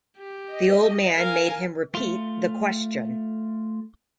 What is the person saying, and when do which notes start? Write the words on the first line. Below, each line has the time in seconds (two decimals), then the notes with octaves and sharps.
The old man made him repeat the question.
0.18 G4
0.53 D#5
1.15 A#4 F5 G#5
1.95 A3 F4